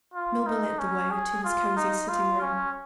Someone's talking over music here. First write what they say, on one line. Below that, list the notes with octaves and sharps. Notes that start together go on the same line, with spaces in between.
Milburgh led the way to his cosy sitting-room.
F4
D#4
C#4
G#4
F4
D#4
F4
C#4